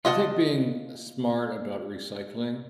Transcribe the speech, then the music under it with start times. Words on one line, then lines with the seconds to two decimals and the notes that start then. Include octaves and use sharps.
I think being smart about recycling,
0.05 F4 D#5 F#5 A5